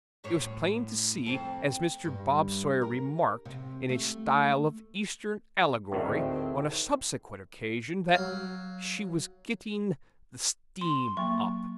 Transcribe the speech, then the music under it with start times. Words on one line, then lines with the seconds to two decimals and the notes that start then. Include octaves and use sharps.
It was plain to see, as Mr. Bob Sawyer remarked in a style of Eastern allegory on a subsequent occasion, that she was 'getting the steam up.'
0.24 F#2 A2 C#5
1.26 F2 C4 A4
2.05 G2
2.82 A#4
3.45 C3
3.89 A3
5.92 G#1 D2 A2 D#3 C4
8.14 F#3 F5
10.81 C6
11.17 F#3 A#3 C#6